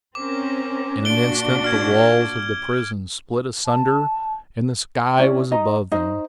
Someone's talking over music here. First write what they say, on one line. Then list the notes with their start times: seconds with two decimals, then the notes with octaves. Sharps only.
In an instant the walls of the prison split asunder, and the sky was above them.
0.15 C4 C#4 A#4 D6
1.05 A#2 D4 F#4 D7 G7
1.64 F6 G#6
3.66 A5
5.19 C#4 E4 D5
5.51 D#4 D#5 A#5
5.92 D#4 C5 D#5